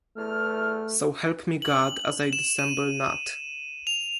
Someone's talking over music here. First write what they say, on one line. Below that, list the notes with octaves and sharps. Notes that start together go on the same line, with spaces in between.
So help me God as I dissemble not.
E2 A3 F6
F#7
E7
D#7
F7